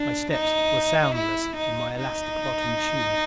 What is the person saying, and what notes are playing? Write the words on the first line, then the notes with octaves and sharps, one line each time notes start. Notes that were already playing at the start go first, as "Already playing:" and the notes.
My steps were soundless in my elastic-bottomed shoes.
Already playing: D4
D#4
E4
D#4
D#4